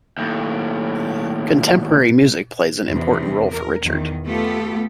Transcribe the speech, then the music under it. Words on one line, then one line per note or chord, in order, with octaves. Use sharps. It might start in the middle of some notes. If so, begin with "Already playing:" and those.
Contemporary music plays an important role for Richard.
D#2 A2
E2 C3
A#4
E2 D#3
A3 B3 F4 G4 A4